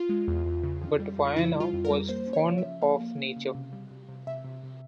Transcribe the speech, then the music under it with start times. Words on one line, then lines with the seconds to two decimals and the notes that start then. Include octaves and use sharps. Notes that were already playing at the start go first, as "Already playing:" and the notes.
But Viana was fond of Nature.
Already playing: F4
0.09 G#3
0.28 E2
0.46 E2
0.64 C#3
0.82 F2
1.00 G3
1.18 F2
1.36 C#3 E4
1.54 G3
1.60 F4
1.73 F2
1.85 A#4
1.90 G3
2.09 A#3 C5
2.27 C#4
2.33 C#5
2.45 C#3
2.58 E5
2.63 F3
2.82 A#3 F5
3.00 A#3
3.18 C#4
3.36 C#3
3.55 C3
3.73 G3
3.91 C3
4.09 C3
4.27 C3 E5
4.45 C3
4.63 C3